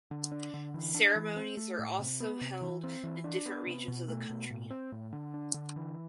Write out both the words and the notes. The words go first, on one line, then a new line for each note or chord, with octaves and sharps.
Ceremonies are also held in different regions of the country.
D3
D4
D3
E3
D4
E3
C4
A3
A2
C3
B3
C3
E3
C4
E3
D4
B3
C3
B2
A3
B2
A2
C4
A2
D3
D4
D3
E3